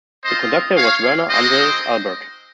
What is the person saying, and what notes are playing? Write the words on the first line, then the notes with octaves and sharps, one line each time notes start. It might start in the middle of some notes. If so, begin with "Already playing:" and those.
The conductor was Werner Andreas Albert.
C4 F4 C5 D#5
C#5 F5
G#3 C4 D#4 F#4 C5 D#5